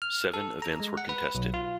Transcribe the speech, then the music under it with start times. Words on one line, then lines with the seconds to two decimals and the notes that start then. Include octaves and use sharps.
Seven events were contested.
0.02 F6
0.34 A4
0.62 A#5
0.80 G#3
0.97 F#5
1.09 B4
1.35 B1
1.54 F4